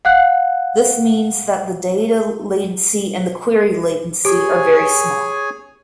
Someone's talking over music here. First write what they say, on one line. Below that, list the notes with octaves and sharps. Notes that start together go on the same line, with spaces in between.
This means that the data latency and query latency are very small.
F5 F#5 F#6
G4 G#4 C#5 G#5